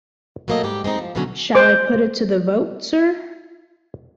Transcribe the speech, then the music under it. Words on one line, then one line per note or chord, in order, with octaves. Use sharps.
Shall I put it to the vote, sir?
F#3 A3 A#3 A4 D#5
G#2 G3 G4
G#3 C4 D4 D#4
F3
B2 D3 E3 F#3 C#4
C5 D6